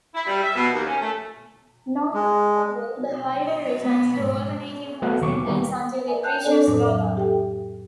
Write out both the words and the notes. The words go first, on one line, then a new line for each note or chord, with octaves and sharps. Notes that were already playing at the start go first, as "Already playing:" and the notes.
North of Cabool, the highway returns to alternating passing lanes until it reaches Rolla.
E4
G3
E5
B2
D#2
C#4
A3
G#3
B3
G#2
C#2 F#3 A3 B3 F#6
D#2 B2 C#6 D6
D#3 G3 A#3 B3
A#4 D5 E5 G#5
G5 A5 F#6 G6
C4 D4 A4 C#5 D5 G#5
F2 A2 F#3 A4 D6
D5 E5
G4 A4 E5 G5